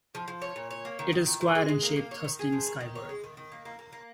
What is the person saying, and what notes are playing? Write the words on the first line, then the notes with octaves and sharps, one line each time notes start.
It is square in shape thrusting skyward.
F3
F3
C#5
A#2
C#5
A#3
D#3
D#3
D#3
D#3
G#3
G#3
A#3
A#3
C#5
D#3
G#4
F3
D#3
D#3
C#5
G#3
D#3
D#3
A#3
A#3
A#3
A#3